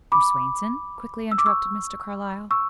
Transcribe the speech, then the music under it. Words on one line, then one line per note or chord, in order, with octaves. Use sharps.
"From Swainson?" quickly interrupted Mr. Carlyle.
B5 D6
E6
D6
C#6 E6
C#6 E6